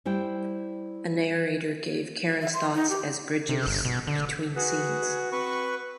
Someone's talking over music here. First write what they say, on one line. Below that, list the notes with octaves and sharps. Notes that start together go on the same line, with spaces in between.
A narrator gave Karen's thoughts as bridges between scenes.
G3 E4 C5 G5
E5
C6
D#4
G4
C3
G1
B2
D3
F#4 G#4 B4
C4 B4 C#6